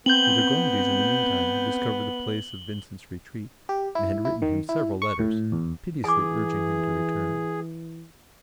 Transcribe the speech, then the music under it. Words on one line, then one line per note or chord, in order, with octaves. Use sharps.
The de Gondis, in the meantime, had discovered the place of Vincent's retreat and had written him several letters, piteously urging him to return.
B3 C4 G6 F#7 G7
G4
E4
E4
D#3
E4
C#6
A2
E2
E3 G#4 G#5 D6